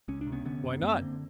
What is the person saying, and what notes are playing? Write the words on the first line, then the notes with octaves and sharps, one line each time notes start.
"Why not?"
C#2 C#4
D4
C3
B3 C#4
D3 B3 C#4
F#2
F#2 A#3 C4
D3